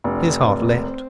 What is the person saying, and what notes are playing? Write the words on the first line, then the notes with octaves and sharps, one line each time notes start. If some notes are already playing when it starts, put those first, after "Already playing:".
His heart leapt.
F1 D4
F1
A#3
C4